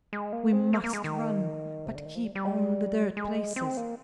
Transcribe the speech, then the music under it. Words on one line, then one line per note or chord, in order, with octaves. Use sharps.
We must run, but keep on the dirt places!
G#3
A#3
C4
A#3
A#3
G#3
D#3
C3
D3
D#3
F3
G3
G3
G#3
C4
A#3